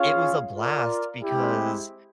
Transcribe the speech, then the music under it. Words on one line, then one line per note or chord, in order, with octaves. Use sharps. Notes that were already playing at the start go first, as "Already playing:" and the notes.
it was a blast because
Already playing: C#4 F4 G#4 C#5 F5
F4 A#4 D5
G#3 C4 E4 G4